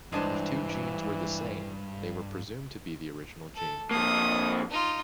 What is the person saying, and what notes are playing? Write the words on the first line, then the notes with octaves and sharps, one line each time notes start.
If two genes were the same, they were presumed to be the original gene.
G2 E3 G#3 D4 C5
A4
F2 A#3 D#6
D#4 F4